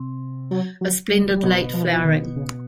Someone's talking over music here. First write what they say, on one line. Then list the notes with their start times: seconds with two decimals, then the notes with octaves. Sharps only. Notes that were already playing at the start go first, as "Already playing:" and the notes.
A splendid late flowering.
Already playing: C3 C4
0.51 F#3
0.81 F#3
1.12 G3
1.31 G3
1.43 B2 F#3 B3
1.74 F3
1.83 E3
1.93 F3
2.04 D#3
2.36 C#3